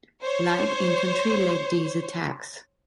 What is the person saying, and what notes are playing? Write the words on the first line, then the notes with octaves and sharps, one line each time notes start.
Light infantry led these attacks.
C5 C#5